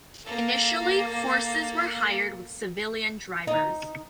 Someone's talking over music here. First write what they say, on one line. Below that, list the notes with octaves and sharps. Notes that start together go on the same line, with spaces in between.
Initially, horses were hired with civilian drivers.
A#3 A4
D#4